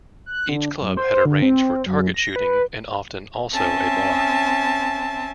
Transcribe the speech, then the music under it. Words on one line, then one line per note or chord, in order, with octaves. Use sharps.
Each club had a range for target shooting and often also a bar.
F#6
D3
F#2
C5
D3
C4
F#2
A#6
B4
C4 C#4 E5 G#5 A5